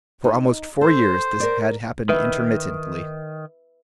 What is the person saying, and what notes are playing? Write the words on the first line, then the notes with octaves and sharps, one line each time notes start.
For almost four years this had happened intermittently.
D#4
A4 C5
A#4 D5
D#3 B4 E5